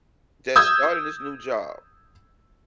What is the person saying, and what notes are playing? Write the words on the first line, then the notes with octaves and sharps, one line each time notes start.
that's starting this new job
D#6 E6 G6 G#6